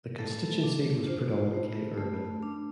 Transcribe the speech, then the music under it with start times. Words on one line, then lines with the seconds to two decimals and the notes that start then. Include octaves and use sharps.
The constituency was predominantly urban.
0.18 A3 A4
0.63 D4
1.08 F4 C5
1.53 A3
1.98 A3
2.43 D4